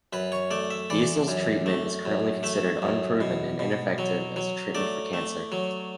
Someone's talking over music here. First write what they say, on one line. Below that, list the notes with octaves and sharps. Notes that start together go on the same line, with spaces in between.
The Issels treatment is currently considered unproven and ineffective as a treatment for cancer.
F#2 B4
C#5
A3 D5
E5
E3 D5
F#2
A3
F#2
A3 E5
F#2
B2
B2
F#3
F#3
A3 D5
A3
F#3